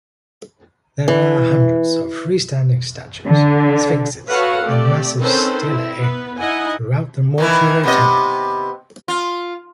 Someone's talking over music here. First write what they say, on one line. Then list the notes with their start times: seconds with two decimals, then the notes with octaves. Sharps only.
There are hundreds of freestanding statues, sphinxes, and massive stelae throughout the mortuary temple.
1.08 E3
3.25 D3
4.30 F#4 A4 B4 C#5 F5 F#5
4.64 A3 C4 G4 D5
5.18 D#3 C4 C#4 A4 B4 C5
5.61 C4 E4
5.98 B3 B4
6.39 D#4 E4 D#5 F#5 G#5
7.38 D#3 E3 E4
7.83 C3 B3 D#5
9.08 F4